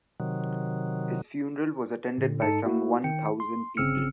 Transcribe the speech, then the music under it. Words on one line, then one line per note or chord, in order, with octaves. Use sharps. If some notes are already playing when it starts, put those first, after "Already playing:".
His funeral was attended by some one thousand people.
C3 D#3 F#3
A#2 D3
G#2 D#4 A4 A5 C#7
A#3 E4 F#4
D#3 G5 C#7
C6
G1 C#3 C4 E6 F6 C#7